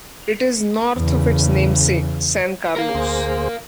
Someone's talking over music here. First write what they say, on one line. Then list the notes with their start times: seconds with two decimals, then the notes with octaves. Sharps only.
It is north of its namesake San Carlos.
0.98 E2 C#3
2.76 A#4 F5
2.95 D2 G#4 C5